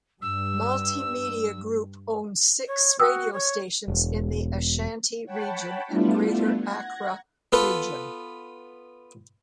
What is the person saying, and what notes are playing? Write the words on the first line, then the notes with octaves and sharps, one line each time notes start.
Multimedia Group owns six radio stations in the Ashanti Region and Greater Accra Region.
G2 E6
C#5
F#4 G5 D#6 E6
C#5
E1
C#5 F#5 G5 A5 B5
G3 A3 B3 D4 E4 F4
F#5 G#6 A#6
B3 F4 A4 B4